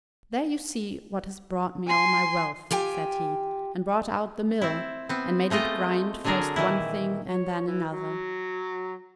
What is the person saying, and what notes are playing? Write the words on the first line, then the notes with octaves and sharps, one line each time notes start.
"There you see what has brought me all my wealth!" said he, and brought out the mill, and made it grind first one thing and then another.
G#5 C6
F4 G4 G5 G#5
C4 E4
B3 C4
G#3 A3 F4 D#5 G5
D3 F#3 D4 G#4 A#4
A#2 D#3 E3 E4
C#5
E3
F#3